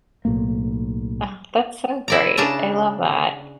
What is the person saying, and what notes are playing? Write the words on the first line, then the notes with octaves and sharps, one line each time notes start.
Ah, that's so great. I love that.
B1 A2 A#3
E4 D5 A#5
C#3 D4 A5 A#5